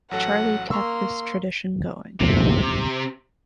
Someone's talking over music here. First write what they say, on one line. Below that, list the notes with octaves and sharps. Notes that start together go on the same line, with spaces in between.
Charlie kept this tradition going.
A1 F#3 A4 F#5
A#3 A#5 C6 C#6 E6
C3